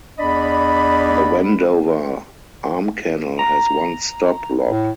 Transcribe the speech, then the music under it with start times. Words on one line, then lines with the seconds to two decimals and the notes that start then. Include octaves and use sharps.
The Wendover Arm Canal has one stop lock.
0.19 E2 D4 D5 D#5 B5
3.39 A#5
4.68 A2